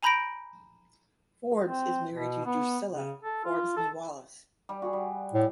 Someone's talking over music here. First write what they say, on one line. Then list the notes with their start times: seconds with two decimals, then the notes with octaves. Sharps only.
Forbes is married to Drucilla Forbes nee Wallace.
0.03 G#5 A#5 B5 G6 A#6 D7
1.65 C4
2.14 B2
2.46 B3
2.93 C#3
3.22 A4
3.45 F4
3.77 A4
4.69 G3
4.82 F#4 G#4
4.93 G3
5.33 A2